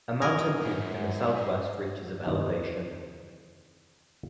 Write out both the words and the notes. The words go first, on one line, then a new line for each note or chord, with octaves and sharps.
A mountain peak in the southwest reaches of elevation.
F#2 A#4 D#5 G#5
G#2
D#2 C3 D#3 E3 D5 D#5